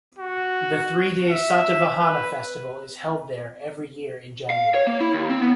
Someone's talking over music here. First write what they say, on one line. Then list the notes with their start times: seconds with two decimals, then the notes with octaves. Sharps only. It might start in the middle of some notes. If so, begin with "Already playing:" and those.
The three day Satavahana festival is held there every year in January.
0.18 F#4
1.30 E5
1.98 B4
4.50 F5
4.75 C#5
4.87 A#3
5.01 E4
5.14 D#2
5.29 C4
5.42 B3